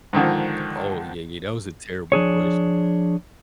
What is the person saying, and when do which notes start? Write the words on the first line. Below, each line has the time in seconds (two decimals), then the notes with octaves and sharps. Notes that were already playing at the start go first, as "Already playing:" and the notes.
Oh, yeah, yeah. That was a terrible question.
0.13 G#2 D3 D#3 F3
2.12 F3 D4 G#4 C#5